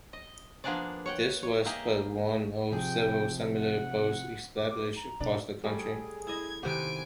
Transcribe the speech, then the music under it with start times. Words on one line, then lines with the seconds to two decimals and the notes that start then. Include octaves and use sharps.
This was but one of several similar posts established across the country.
0.13 D#5
0.64 F3 A#3 B3 D4 G#4 D5
1.06 C#5 F#5 G5
1.43 C#5
1.65 A#3 G4 G#4 D#5 E5 A#5
2.72 C3 F3 G#4 G5
3.54 F#5
4.56 D6
4.70 B4 D6
4.95 A#5
5.20 B2 D4
5.64 G3 C#4 G#4 A4
6.27 E4 D#5 G#6
6.63 C3 D#3 B3 G4 C5 F#5 G#5 D7